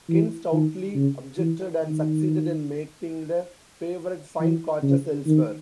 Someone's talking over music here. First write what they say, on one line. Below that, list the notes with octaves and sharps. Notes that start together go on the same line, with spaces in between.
Ken stoutly objected and succeeded in making the favourite find quarters elsewhere.
E3
D#3
C#3
E3
D#3
E3
C#3
D#3